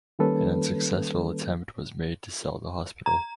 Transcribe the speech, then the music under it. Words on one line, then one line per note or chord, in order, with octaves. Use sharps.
An unsuccessful attempt was made to sell the hospital.
D#3 G3 A#3 C#4 A4 B4
A#5